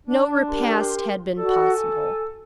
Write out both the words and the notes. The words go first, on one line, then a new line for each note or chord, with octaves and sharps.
No repast had been possible.
D4
G4 A#4 C6
F#4 A4 D5
G#5